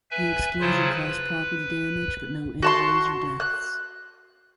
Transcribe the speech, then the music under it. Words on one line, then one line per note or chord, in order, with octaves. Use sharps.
The explosion caused property damage but no injuries or deaths.
B4 E5 G#5
C#3 F#3 E4 F4 C5 A5
B4
F#4 A5 C6
F#6